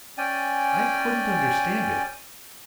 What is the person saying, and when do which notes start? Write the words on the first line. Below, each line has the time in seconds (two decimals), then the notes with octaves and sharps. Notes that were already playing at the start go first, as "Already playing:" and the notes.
I couldn't understand it.
0.18 C#4 D5 G5 G#5